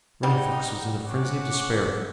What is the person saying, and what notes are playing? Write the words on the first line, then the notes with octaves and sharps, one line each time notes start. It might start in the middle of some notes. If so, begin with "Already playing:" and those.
Running Fox was in a frenzy of despair.
G3 D#4 F#5 G5
C#4 F#5 D6